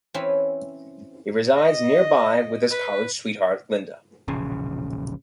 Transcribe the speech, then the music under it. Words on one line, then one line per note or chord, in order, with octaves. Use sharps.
He resides nearby with his college sweetheart, Linda.
E3 C4 C#4 B4 C#5
D#5
B4
E1 A#1 C#3